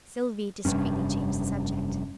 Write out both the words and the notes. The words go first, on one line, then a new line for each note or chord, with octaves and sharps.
Sylvie discreetly changed the subject.
F1 G2 C#4